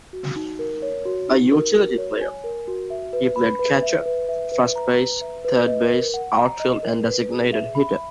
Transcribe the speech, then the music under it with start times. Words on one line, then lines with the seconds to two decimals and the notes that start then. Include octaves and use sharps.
A utility player, he played catcher, first base, third base, outfield and designated hitter.
0.13 F#4
0.36 D#4
0.59 A#4
0.82 C#5
1.06 F#4
1.28 D#4
1.52 A#4
1.75 F#4
1.98 C#5
2.21 G#5
2.44 A#4
2.68 F#4
2.90 E5
3.13 B4
3.36 B5
3.59 B4
3.83 E5
4.06 B4
4.29 E5
4.52 B4
4.76 A#5
4.98 B4
5.21 E5
5.45 B4
5.67 D#5
5.91 A#4
6.14 F#5
6.37 A#5
6.60 D#5
6.83 A#4
7.06 B4
7.29 G#4
7.53 E5
7.75 B5